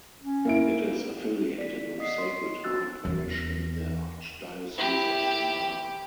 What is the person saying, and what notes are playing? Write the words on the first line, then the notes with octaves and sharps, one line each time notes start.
It is affiliated with Sacred Heart Parish in the Archdiocese of Omaha.
C#4
A#3 E4 D7
D5 B6
C4 D#5 D#6 B6 C7
C#5 C6
B3 D4 F#4 E6 F#6 A6
E2
E4 G4